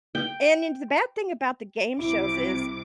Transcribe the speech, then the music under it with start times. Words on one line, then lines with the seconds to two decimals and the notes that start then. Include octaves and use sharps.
and and the bad thing about the game shows is,
0.15 G5
1.99 C2 C3 E4 D6